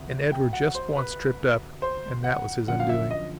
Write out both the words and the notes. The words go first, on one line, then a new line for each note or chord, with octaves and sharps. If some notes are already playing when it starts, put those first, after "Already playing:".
And Edward just once tripped up, and that was his undoing.
Already playing: D2 C3
G5
F#5
C5
B4
C5
F#5
F#2 D3 F3 F#5
F5
E5
D#5